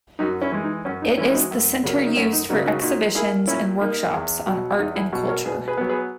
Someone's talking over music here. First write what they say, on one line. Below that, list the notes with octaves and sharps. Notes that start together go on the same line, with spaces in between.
It is the center used for exhibitions and workshops on art and culture.
F#2 D#4 F#4
C#4 E4
E3 G#3
D#4
F#2 C#4
D#4
E3 G#3 C#4 E4
E4
D#4 F#4
F#2
C#3 F#3 A#3
D#4
F#2 C#4
D#4
C#3 F#3 A#3 D#4
D#4 F#4
A#2 D#4 F#4
A#3 E4 G#4
A#2 C#4 E4
A#3 D#4
E2
B2 F#3
E2 D#4
E4 G#4
B2 F#3
A#4 C#5
B2 G#4 B4
G#4 B4
F#3 B3
G#4 B4